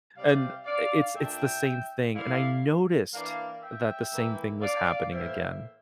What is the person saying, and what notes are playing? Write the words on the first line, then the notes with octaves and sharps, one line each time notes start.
And i it's it's the same thing, and I noticed that the same thing was happening again,
C3 G3 C4 E4 D5 F5
D5 F5
A#2 A3 D4 E5 G5
D3 A3 E4 D5 F5
E3 A#3 D4 D5 F5
E5 G5
E3 A#3 E4
D5 F5
A2 E3 A#3 C5 E5